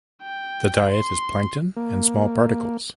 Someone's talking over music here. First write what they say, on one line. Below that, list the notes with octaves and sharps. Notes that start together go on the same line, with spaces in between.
The diet is plankton and small particles.
G5
C6
A#3